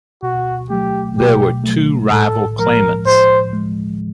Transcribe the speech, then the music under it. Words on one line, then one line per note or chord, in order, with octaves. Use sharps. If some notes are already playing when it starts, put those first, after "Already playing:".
There were two rival claimants.
B2 F#4
F#3 A3 G4
B2 G4
F#3 A3
A2 A4
F3 G#3 A#4
A2 C5
F3 G#3